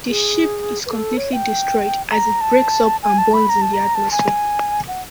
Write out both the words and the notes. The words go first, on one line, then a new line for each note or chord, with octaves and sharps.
The ship is completely destroyed as it breaks up and burns in the atmosphere.
G#4
B4
A4
C#5
G5
A#5
A5
G#5
A5
B5
A#5
A5
A#5
A5
G#5
F#5